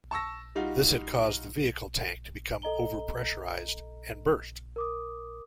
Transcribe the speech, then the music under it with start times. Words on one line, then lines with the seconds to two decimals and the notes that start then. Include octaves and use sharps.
This had caused the vehicle tank to become over-pressurized and burst.
0.11 A5 C#6 E6 A#6
0.55 G3 D#4 F4 F#4
2.62 A4 D#5 A#5 G7
4.76 A#4 D6 D#6